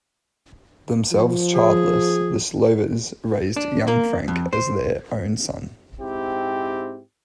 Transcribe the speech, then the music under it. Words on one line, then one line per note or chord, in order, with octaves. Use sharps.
Themselves childless, the Slovers raised young Frank as their own son.
F3
G#4
D4
A#3
F2
C5
G#2 C4 E4 G4